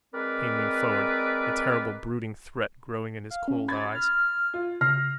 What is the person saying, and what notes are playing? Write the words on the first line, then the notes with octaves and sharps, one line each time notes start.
Kane leaned forward, a terrible brooding threat growing in his cold eyes.
G#3 C4 A#4 B4 D5
F5
C#4
B5 G#6 A6
F6
F4
C#3 F6 A#6 C7